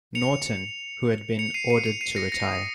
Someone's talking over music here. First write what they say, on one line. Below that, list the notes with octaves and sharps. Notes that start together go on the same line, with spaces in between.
Norton, who had been ordered to retire.
C#7 F7
C#7 F7
C7 D#7
C7 D#7
C#7 F7
C7 D#7
A#6 C#7
A#6 C#7
D#6